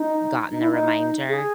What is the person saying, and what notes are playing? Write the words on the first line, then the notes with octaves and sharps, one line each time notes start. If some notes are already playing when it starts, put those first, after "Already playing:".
gotten the reminder
Already playing: D#4
D#4
E4
D#4
G#4